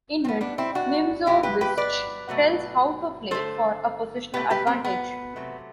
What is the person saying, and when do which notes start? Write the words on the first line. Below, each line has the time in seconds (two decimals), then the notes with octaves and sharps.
In it, Nimzowitsch tells how to play for a positional advantage.
0.24 A2 G3 B3 C4
0.41 B3 D4
0.58 C4 E4
0.75 D4 F#4
1.26 C3 F#3 B3 E4 G4
1.43 G4 B4
1.61 G4 B4
1.77 B4 D5
2.29 B2 F#3 A3
3.31 D3 A3 A4 C5
4.33 B2 A3 G4 B4
4.50 G4 B4
4.67 C4
4.84 B3
5.36 C3 F#3 A3